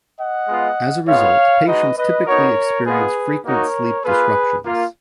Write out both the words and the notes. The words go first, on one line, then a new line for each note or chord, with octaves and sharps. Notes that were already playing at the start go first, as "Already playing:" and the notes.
As a result, patients typically experience frequent sleep disruptions.
D#5 F#5
G#3 B3 F4
G#3 B3 F4 C#5 F5
G#3 D#4 F#4 B4 D#5
B4 D#5
B3 D#4 F#4 A#4 C#5
G#3 B3 F4 G#4 B4
A#3 D#4 F#4 A#4 C#5
A#3 F4 G#4 B4
A#3 F4